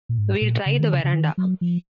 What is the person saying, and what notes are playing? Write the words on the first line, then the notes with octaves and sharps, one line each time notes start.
We'll try the verandah.
A#2
G#2
A#2
C#3
D#3
C#3
C#3
D#3
F#3
F3